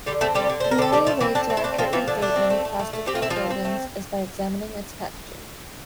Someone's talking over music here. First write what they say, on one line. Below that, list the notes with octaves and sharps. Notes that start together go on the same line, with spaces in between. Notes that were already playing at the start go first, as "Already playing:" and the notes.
The only way to accurately date many Plasticville buildings is by examining its packaging.
D3 G3 G4
A3 C4 A4
D3 G3 G4
D3
D3 C5
A#4
D3 A4
G3 C4 G4
F3 A3 F4
E3 C4 E4
A3 D4
C4
E4
A3 D4
F3 C4 F4
E3 F3 E4
D3 D4
A3 D4
C4
A3
A3
A3
A3
C4 G4
F4
C4 E4
F3 F4
C4
C4
A3